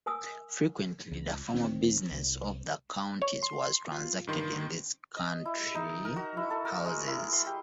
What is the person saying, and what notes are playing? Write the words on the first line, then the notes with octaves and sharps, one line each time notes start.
Frequently, the formal business of the counties was transacted in these country houses.
A#4 G#5 D#6 E6
C#2
D1 D#3 C4
C2
C#5
C6
F4
G2 D#3 C6
D#5
E4
D#4
A#4
F#4
E4
A4
A#4
G#3
E4
C6
G4